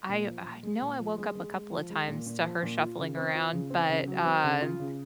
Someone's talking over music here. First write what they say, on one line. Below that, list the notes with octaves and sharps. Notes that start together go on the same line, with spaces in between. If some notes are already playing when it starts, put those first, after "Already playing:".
I I know I woke up a couple a times to her shuffling around, but, um,
A#2
F3
A#2
G#3
A#2
F3
G#3
G#3
G#3
F3
G#3
A#2
A#2
F3
A#2
F4
C#3
C4
F4
C#3
C4
C#3
F#3
C4
C#3
F4
C#3